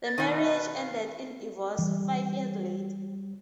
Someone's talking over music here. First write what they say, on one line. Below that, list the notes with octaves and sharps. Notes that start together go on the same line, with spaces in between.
The marriage ended in divorce five years later.
A6
B2 D#3
E5
B4
F5
E3 G3